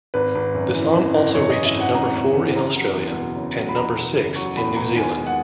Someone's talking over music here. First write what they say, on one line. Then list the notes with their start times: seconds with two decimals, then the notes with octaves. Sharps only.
The song also reached number four in Australia and number six in New Zealand.
0.14 G#1 B4
0.35 G#1
0.54 F#2
0.75 E3
0.95 G#1
1.14 G#1
1.34 F#2 C#5
1.50 E3 D#5
1.65 E5
1.75 G#1
1.80 F#5
1.95 G#1 A#5
2.15 F#2
2.35 E3
2.56 F#1 A#5
2.76 F#3
2.95 E2
3.16 B2
3.35 F#1
3.55 F#3
3.69 B5
3.75 E2 A#5
3.96 B2
4.16 F#1
4.36 F#3 C#6
4.56 E2 B5
4.76 B2 A#5
4.96 D#2 G#5
5.17 G#3
5.26 F#5